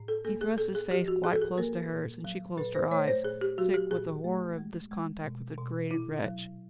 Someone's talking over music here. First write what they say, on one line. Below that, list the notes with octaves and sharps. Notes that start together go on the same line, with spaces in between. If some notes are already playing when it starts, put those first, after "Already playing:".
He thrust his face quite close to hers, and she closed her eyes, sick with the horror of this contact with the degraded wretch.
Already playing: A2
A4
A#3 A4
G#4
A2 A4
G#4
F3 G4
F#4
A2 G#4
A4
G#4
A#3 A#4
A#2
F#3
A#2 B4
C5
A3 C#5
C5
A#2 G#4
G4
F#3 F#4
G4
A#2 G#4
A3
G#3
G#3
B2
B2
A#2 E4
F#3